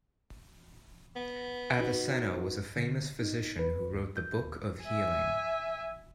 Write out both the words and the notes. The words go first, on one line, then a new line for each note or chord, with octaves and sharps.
Avicenna was a famous physician who wrote the Book of Healing.
B3
D#4 F#4 B4
D3
D#4
B4
D#2
G6
D#2
E5 G#5